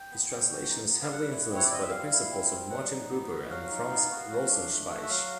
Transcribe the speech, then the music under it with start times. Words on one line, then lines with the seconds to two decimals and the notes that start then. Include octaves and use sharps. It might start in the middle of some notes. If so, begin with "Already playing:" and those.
His translation is heavily influenced by the principles of Martin Buber and Franz Rosenzweig.
Already playing: G5
0.11 B3
0.30 B3
0.50 F#4
0.70 D#4
0.90 B3
1.02 F5
1.11 G3 F#5
1.31 E4
1.51 C4 C#5
1.64 D5
1.70 G3 D#5
1.82 E5
1.90 G3 F5
2.11 E4
2.30 C4
2.50 G3
2.70 F#3 F#5
2.91 D#4
3.10 B3
3.30 F#4
3.51 F#3 F5
3.70 D#4
3.91 B3
4.11 F#4
4.31 F#3
4.50 D4
4.71 A3
4.91 F#4
5.02 E5
5.10 F#3 F5